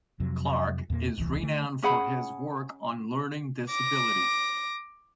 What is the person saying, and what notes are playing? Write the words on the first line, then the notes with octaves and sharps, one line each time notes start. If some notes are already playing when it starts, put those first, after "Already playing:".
Clarke is renown for his work on learning disability.
F2 C3 F#3
E2 A#2 A3 A#3
D#1 C2 A#2 E3
D3 A3
C#4 G#4 F#5 B5
D6 A#6